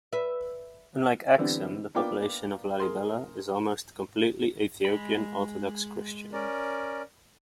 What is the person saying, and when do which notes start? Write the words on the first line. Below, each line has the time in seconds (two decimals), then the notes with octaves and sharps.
Unlike Aksum, the population of Lalibela is almost completely Ethiopian Orthodox Christian.
0.13 B4 E5
1.38 D3 E3 G3 B3 C4 D4
1.95 A#3 B3 D4 F4 G5 D6
2.80 G#4 A#4 C6
4.85 G#3 B5
6.33 C#4 A#4 D5